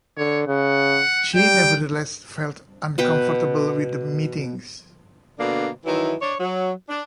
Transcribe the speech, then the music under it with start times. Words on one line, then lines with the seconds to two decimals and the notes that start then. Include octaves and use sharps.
She nevertheless felt uncomfortable with the meetings.
0.18 D3 C#5
0.47 C#3 F#5
1.35 G3 G5
2.98 B2 B4 G5
5.38 B2 D3 A#3 D4
5.85 D#3 E3 F#3 E4
6.21 D4 C#5
6.39 F#3
6.89 D4